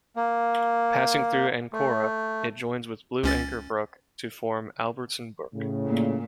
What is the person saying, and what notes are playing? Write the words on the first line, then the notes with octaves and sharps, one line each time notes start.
Passing through Ancora, it joins with Blue Anchor Brook to form Albertson Brook.
A#3
A3
C#2 C#4 A6
A2 C#3
A#2